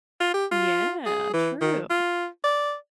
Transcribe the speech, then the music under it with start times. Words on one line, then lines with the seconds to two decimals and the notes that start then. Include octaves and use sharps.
Yeah, true.
0.20 F4
0.34 G4
0.51 F4
1.06 G#4
1.33 E3
1.61 D#3
1.90 F4
2.44 D5